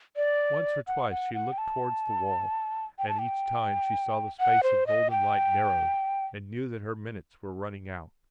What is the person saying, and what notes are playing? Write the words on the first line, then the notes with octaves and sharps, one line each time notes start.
Once or twice she looked towards the wall, and each time she saw the space of golden light narrowed, and knew that her minutes were running out.
D5
F#5
F#5
F#5
G5
A5
G5
A5
G5
F#5
C5
D#5
G5